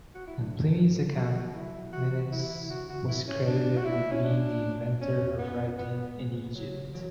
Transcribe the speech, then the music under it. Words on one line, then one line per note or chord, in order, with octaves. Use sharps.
In Pliny's account, Menes was credited with being the inventor of writing in Egypt.
F#4
E4
F#3 D4
F#4
E4
E3 F#4
E4
D3 F#4
C#3 F#4
B2 E4
A2 C#4
D4
F#4
E4
C#4
D4
G#2 C#4
E2
F#2 B3
F#2
G#2 B3
G#2
A2 G#3
B2
C#3 F#3
E3 F#3